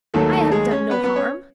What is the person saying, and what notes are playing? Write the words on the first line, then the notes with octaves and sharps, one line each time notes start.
"I have done no harm."
D#2 D#3 F#3 A3 A4
A3 A4
G#3 G#4
C#4 C#5
B3 B4
B3 B4
C#4 C#5